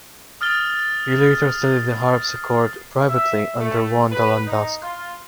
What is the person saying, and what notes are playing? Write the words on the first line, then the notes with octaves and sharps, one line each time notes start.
He later studied the harpsichord privately under Wanda Landowska.
D#6 F6 A6 G7
E5
A3
B4
D#4
F4